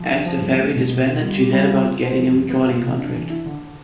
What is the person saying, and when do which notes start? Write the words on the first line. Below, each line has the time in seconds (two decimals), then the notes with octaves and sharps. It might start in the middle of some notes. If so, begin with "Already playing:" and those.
After Fari disbanded she set about getting a recording contract.
Already playing: F3
0.09 D4
0.26 F3
0.41 G2
0.58 A3
0.74 B2
0.90 B3
1.06 F4
1.22 G3
1.38 G4
1.53 G3
1.70 F4
1.85 B3
2.03 C5
2.18 F3
2.34 G2
2.50 B3
2.66 F4
2.82 C3
2.98 D4
3.14 E3
3.30 E4
3.46 D3